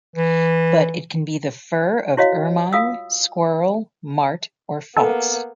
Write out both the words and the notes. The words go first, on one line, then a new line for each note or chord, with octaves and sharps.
But it can be the fur of ermine, squirrel, mart or fox.
E3
E4 F#4 C#5 D#5 F5
F4 F5 D#6 E6
A#3 B3 A4